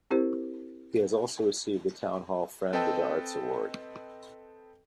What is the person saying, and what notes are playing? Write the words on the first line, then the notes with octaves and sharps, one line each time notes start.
He has also received the Town Hall Friend of the Arts Award.
C4 E4 G4 A#4 C5
C4 A4 B4 D#5 G5 A5